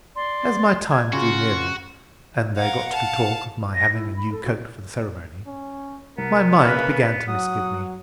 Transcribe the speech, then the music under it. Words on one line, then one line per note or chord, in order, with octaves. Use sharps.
As my time drew nearer, and there got to be talk of my having a new coat for the ceremony, my mind began to misgive me.
D5 C6
G#6
C#3 F4 F#4 C6
A#4 F5 F#5
F5 A5
A#6
E4
B5
A4
F#4
C#4
C2 B3 A#4
C#3 A#3 B4 E5 F6 F#6
F#3 F#5 D#6